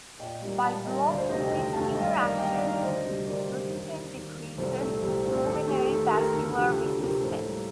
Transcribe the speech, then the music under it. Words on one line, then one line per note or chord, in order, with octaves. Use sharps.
By blocking this interaction, bosentan decreases pulmonary vascular resistance.
A#2 D#5 G5
G3 A#3
A#2 F5 A5
G3 A#3 D#5 G5
D2 D5 F5
C5 D#5
C3 D#3 A3 C5 D#5
D#5 G5
D2 D#5 G5
C3 D#3 A3 F5 A5
G2 D#5 G5
D#5
D#3 A#3 D5 F5
G2 D#5 G5
D5 F5
D#3 A#3
D5 F5
D2 C5 D#5
C3 G3
D2 A#4 D5
C3 G3
D#2
D#3 A#3
D#2
D#3 A#3
C2 A4 C5
A#2 A3 C4 A4
C2 G4
A#2 A3 C4
D#2 A4
D#3 A3 G4
D#2 A4
D#3 A3 G4 A#4
D2 A4
C3 F3 G4
D2 A4
C3 F3 G4 A#4
A2 A4 C5
G3 A#3